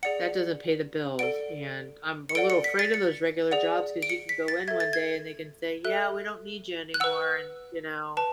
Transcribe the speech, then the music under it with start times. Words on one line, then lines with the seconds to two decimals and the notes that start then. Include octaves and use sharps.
That doesn't pay the bills, and, I'm a little afraid of those regular jobs 'cause you can go in one day and they can say, "Yeah, we don't need you anymore," and, you know
0.03 G#4 D5 F#5 C#7
1.19 A4 D5 F#5 D7
2.29 C#7
2.35 A4 D5 F#5 D7
2.50 C#7
2.64 B6
2.79 A6
2.94 C#7
3.51 G#4 D5 F#5
4.03 D7
4.10 C#7
4.29 B6
4.48 A6
4.68 A4 E5 G#6
4.80 A6
4.93 G#6
5.85 A4 E5 F#6
6.94 F#6
7.00 B4 F#5 E6
8.17 B4 A5